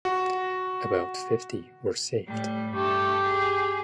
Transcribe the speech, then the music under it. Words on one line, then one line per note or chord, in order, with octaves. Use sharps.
About fifty were saved.
F#4
A2 G3
G2 A3 G4
G#4